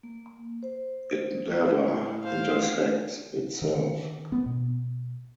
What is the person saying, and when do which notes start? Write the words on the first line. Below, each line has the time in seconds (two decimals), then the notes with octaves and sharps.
It never intersects itself.
0.03 A#3
0.63 C5
1.85 A2
2.24 C5 F5
3.62 D#3
4.32 B3
4.46 B2